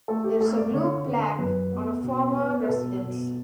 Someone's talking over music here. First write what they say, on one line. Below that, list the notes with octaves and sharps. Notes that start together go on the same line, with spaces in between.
There is a blue plaque on a former residence.
A3 A4
G4
A3 A4
D5
D3 C#5
D3
F#2 B4
B3
B2
B3
B4
B2 A4
B2